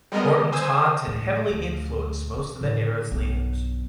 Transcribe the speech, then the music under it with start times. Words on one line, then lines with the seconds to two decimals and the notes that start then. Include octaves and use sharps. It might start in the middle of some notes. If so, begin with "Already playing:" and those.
Horton taught and heavily influenced most of the era's leaders.
0.12 G3 G#3 B3 A#4 D#5
0.52 C5 G#5 D#6 E6
1.07 A2 D3
1.49 D2
2.36 F4
2.61 A2 D3
3.11 B1 G2